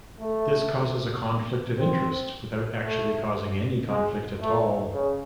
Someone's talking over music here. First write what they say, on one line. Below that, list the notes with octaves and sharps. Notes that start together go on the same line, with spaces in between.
This causes a conflict of interests without actually causing any conflict at all.
A3
C4
A3
G#3
A3
C#3